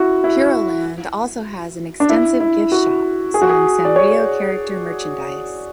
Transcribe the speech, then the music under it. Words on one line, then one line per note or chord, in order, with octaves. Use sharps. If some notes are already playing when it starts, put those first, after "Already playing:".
Puroland also has an extensive gift shop selling Sanrio character merchandise.
Already playing: E4 F#4
E4
D4
E4
E4
F#4
G#4
F#4
G#4
D5
C#5